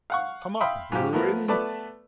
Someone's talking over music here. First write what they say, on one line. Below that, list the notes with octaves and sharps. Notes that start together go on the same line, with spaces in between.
Come up, Bruin!
F5 F#5 C#6
E5 F5 G5 B5 C6 D#6
G#2 F3 F4 G4
F3 A3 B3 A#4
A3 B3 B4 D5 A5